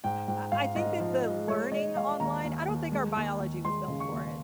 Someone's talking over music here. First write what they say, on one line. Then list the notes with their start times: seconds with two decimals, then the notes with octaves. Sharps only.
I I think that the learning online I don't think our biology was built for it.
0.04 G#2 G5
0.28 G#2 G5
0.52 G#2 F5
0.76 G#2 D#5
1.00 F3
1.24 F3 D#5
1.48 G#3 C#5
1.72 G#3 D#5
1.96 G#3 F5
2.20 D#2 A#5
2.45 D#2
2.68 D#2
2.92 G#3
3.17 D#2
3.40 D#2
3.64 G#3 C6
3.88 C#3
4.00 C#6
4.12 D#2